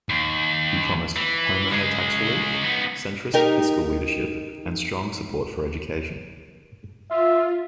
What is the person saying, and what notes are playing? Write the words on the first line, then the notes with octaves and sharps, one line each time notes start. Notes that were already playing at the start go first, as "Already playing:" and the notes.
He promised homeowner tax relief, centrist fiscal leadership, and strong support for education.
D#2
E3
C#3 G#3
B3 D#4
D#4 G4 A#4
F4 E5